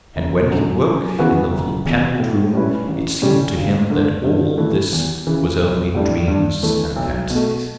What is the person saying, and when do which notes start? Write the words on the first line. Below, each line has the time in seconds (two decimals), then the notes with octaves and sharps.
And when he woke in the little panelled room it seemed to him that all this was only dreams and fancies.
0.16 F#1
0.50 F#2 D3 F#3
0.84 F#2
1.19 C#3 E3 B3 F#4
1.51 F#1
1.86 E2 B2
2.19 A2
2.54 G3 C#4 E4 B4
2.88 A1
3.22 A2 G3 C#4 G4
3.56 G1
3.90 G2 D3
4.25 G2
4.58 E3 A3
4.93 E2
5.27 C#3 E3
5.60 B1
5.95 A2 G3 D4
6.28 G2
6.63 E3 A3
6.96 B1
7.30 B2 A3